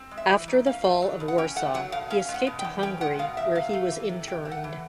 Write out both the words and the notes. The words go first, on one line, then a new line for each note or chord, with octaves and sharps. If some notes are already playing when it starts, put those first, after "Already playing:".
After the fall of Warsaw he escaped to Hungary, where he was interned.
Already playing: C4
G#3
E5
E3
G#2
C#4 F5
A3
F#3
B2
F#5
C#4 G5
A3 F#5
F#3 F#5
B2 F5
C#4 F5
G#3
F#5
B2
G5
E2
C#4 G5
G#3 F#5
B2 F5
E2 E5
C3 F5
A3
E3
C3
C3 G5
A3
F#5
E3